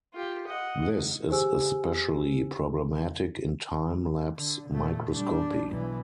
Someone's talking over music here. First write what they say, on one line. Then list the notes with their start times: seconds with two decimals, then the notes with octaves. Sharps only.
This is especially problematic in time-lapse microscopy.
0.14 F4 G4
0.47 D#5 F#5
1.30 G4 G#4 C5 G#5 E6
4.36 D3
4.69 A#2 A3
5.13 G3 D4
5.68 B1 E3